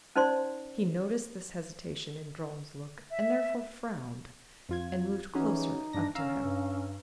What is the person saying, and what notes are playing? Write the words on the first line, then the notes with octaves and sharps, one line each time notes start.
He noticed this hesitation in Dron's look and therefore frowned and moved closer up to him.
C#4 D#4 C5 D5 C6
E5
F2 F4 G#6
E3 C#4 D#4 F#4 G#4
G2 D4 A#6
C#4 F5 A#5 E6
G2